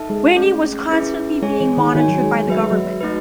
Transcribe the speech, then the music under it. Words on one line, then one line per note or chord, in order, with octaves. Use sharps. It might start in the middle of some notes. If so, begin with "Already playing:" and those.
Winnie was constantly being monitored by the government.
Already playing: D#4 A4 E5 A5
G#3
A3 C#4 G#4
C#4 E4 G#4 B4 E5
G#3 G#4 C#5 G#5
E3
D#3
D#3 F#4 C#5 G#5
F#3
G#3
G#3
F#3 F#4 B4 E5
G#3
F#3
A3 D#4 F#4 B4